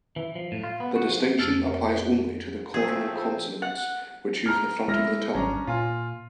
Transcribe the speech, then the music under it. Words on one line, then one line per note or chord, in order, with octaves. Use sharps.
The distinction applies only to coronal consonants, which use the front of the tongue.
E3
F3
A2
F4
B3
F#4
F3
F2 A3 G4 E6 F6 A6
A#4 C#5
B4
F3 A3 C4 G#4
F#5
A#5 F6
G#3 E4 F6 A#6
G#1 G3 C#4 D4 A#5
A#2 F4 G#5